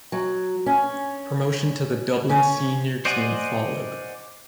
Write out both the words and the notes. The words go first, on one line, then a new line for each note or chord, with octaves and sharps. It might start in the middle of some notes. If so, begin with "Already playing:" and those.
Promotion to the Dublin senior team followed.
F#3
C#4
C#4
C5 D5 D#5 F#5 G#5